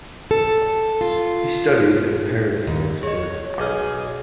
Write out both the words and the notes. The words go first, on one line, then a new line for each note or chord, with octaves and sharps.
He studied in Paris and Oxford.
A4
F4
D#2
G#4 C#5 D#5
B1 G#4 D6 F6